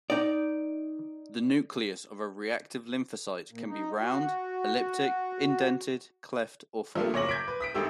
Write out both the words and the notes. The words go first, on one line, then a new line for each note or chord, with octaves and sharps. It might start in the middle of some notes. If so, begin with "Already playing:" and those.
The nucleus of a reactive lymphocyte can be round, elliptic, indented, cleft, or folded.
D#4 D5
A#2
D#4
F#4
F3 A3 A#3
F#1 C#5 D6 A#6 F#7
D6 G6 G#6 B6 D7
B4
D#6 B6 D7
G#1 D#3 A3 G4 E6